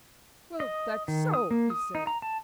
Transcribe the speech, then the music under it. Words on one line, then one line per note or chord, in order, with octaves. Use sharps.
"Well, that's so," he said.
D#5
D#3
D#6
A#3
D#6
D#4
A#5
A5